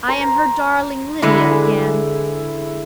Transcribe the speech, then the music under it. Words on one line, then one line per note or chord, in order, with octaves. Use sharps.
I am her darling Lydia again!
C5 A#5
D3 G#3 E4 B4
G#4